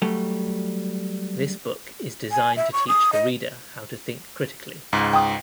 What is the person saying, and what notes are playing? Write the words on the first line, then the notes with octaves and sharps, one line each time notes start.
This book is designed to teach the reader how to think critically.
F#3 G3 A3
G#5
E5
C#6
D#6
D#5
C#2 G#2
G5 D#6